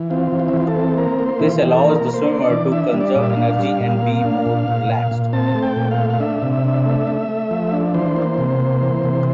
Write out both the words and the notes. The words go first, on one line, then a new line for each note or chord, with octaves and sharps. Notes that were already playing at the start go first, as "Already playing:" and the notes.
This allows the swimmer to conserve energy and be more relaxed.
Already playing: E3
C4 F4
E3
F4
E4
E3 F4
A4
C4
A#3 A#4
A#3
C5
E3 E4
F4
E3 G4
A4
A#3 A#4
A#3
C5
D4
D5
E3
D4 E5
G3
D5
A#2
E5
F5
D4
G3
A#2
A#3
D4
A#2
A#2
A#2
A#2
C4 A5
A3
G5
A#2
F5
A3
F5
D4 E5
C3
D4
A3
A3
A3
F3
D4
E3 C5
A#3
C3
A#3
E3
C3